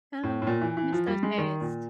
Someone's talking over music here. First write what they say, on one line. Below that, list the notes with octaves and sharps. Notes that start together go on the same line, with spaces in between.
Um, miss those days.
A2
A2
A#2
E3
E3
F3
G3
G#3
D#3
A#2